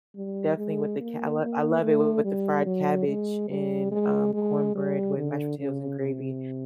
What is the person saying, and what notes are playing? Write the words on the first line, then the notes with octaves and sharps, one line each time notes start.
definitely with the ca I lo I love it with the fried cabbage, and, um, cornbread with mashed potatoes and gravy,
G3
G#3
A#3
A#3
A3
G3
F#3
G#3
G3
G#3
G#3
G3
D3
C#3
C3